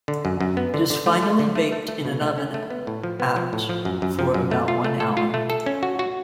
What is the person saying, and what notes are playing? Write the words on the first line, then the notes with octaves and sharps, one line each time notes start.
It is finally baked in an oven at for about one hour.
D3
F#2
F#2
B3
D3
D3
A3
A3
D3
A3
A3
A3
B2
A3
C#4
A3
B3
A2
F3
B3
F3
A2
F3
F#2
F#2
F3
F#2
A3
F4
A3
A4
F4
A3
A4
C#4
F#4
F#4